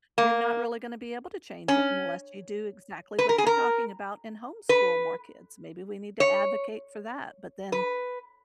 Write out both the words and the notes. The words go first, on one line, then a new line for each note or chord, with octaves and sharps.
you're not really gonna be able to change it unless you do exactly what you're talking about and homeschool more kids. Maybe we need to advocate for that but then
A#3
C#4
B4
A#4
G#4
A#4
B4
C#5
B4